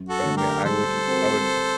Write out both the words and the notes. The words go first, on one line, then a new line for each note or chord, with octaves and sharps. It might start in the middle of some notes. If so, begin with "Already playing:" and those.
But, I mean, I would l I would
Already playing: F#2
F#4 A4
D3 A3
G4 A#4
G3 A4 C5
C4 F#4 A#4